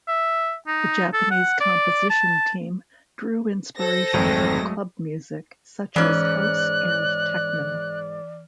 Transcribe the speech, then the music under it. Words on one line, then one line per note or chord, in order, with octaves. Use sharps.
The Japanese composition team drew inspiration from club music, such as house and techno.
E5
D#4
A4
F#5
D5
A5
A4 C5 A#6
G#1 F2 F#3 G#3 A3
G#2 E3 C#4 D5 F6 F#6